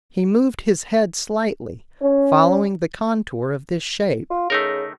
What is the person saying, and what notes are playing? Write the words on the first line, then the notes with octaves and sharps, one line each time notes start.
He moved his head slightly, following the contour of this shape.
C#4
F4
C#3 A3 D#4 A#4